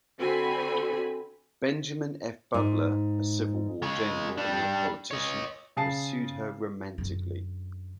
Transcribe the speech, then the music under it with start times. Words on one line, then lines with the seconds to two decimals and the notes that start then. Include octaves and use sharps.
Benjamin F. Butler, a Civil War general and a politician, pursued her romantically.
0.18 D3 C4 F#4 G#5 B5
2.54 G#2
3.82 G#3 C#5
4.38 G3 D4
5.11 C#5 D#5
5.77 C#3 G#4 A5 C7
6.98 F#2 D3